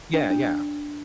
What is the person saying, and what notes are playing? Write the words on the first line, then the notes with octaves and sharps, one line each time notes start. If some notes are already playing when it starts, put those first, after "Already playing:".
Yeah, yeah.
D4
D4
D4